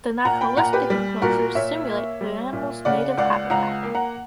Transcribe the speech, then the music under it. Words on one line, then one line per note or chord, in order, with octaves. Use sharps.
The naturalistic enclosures simulate the animals' native habitat.
A#2 F#5 A#5
G5 B5
A#2 F#5 A#5
G4 B4
G3
A#2 F#4 A#4
A#2 C#5 E5
A#3
G3
A#2
C#3 D5 F#5
C#2 D5 F#5
C#2 F#5 A#5
A#3
F#5 A#5